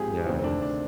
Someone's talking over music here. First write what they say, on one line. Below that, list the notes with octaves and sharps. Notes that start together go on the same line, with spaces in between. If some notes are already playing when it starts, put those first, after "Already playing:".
Yeah, it is.
Already playing: G#1 G#2 F3 G4 G#4
D2 C3 D#3 C4
C4
D4
D4